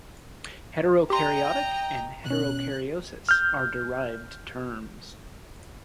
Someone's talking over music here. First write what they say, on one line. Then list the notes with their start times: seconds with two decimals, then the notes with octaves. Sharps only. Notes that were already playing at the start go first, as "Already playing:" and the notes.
Heterokaryotic and heterokaryosis are derived terms.
1.10 G4 D#5 G5 A#5 C6
2.26 B2 C#4 F#6
3.29 F6 G6